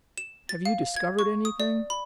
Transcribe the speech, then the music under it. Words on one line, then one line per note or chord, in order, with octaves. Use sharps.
"Have you discovered anything?"
E7
A6
F5
G#6
C#6
D#6
D5
B5